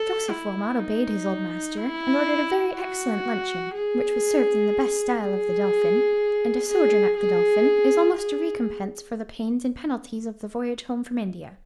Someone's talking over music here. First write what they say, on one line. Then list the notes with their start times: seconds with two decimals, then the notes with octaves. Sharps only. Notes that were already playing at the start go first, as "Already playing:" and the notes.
Joseph Wilmot obeyed his old master, and ordered a very excellent luncheon, which was served in the best style of the Dolphin; and a sojourn at the Dolphin is almost a recompense for the pains and penalties of the voyage home from India.
Already playing: A4
0.30 E4
0.79 D#4
1.77 E4
2.75 F#4
3.74 G#4
5.20 G#4
6.68 G#4
7.17 G#4
8.14 G#4